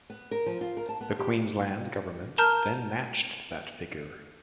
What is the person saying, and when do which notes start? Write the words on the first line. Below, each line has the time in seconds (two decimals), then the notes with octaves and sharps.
The Queensland Government then matched that figure.
0.10 B3
0.31 A#4
0.46 F3
0.61 F4
0.77 A#4
0.89 A5
1.01 B3
1.19 G4
2.38 A#4 A5 A#5 F6 G6 E7